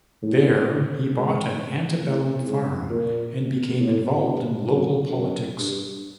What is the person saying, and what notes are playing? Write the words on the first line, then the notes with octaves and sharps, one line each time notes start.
There, he bought an antebellum farm and became involved in local politics.
A2
G#2
A2
G#2
A#2
A2
G2
F#2
F#2
G2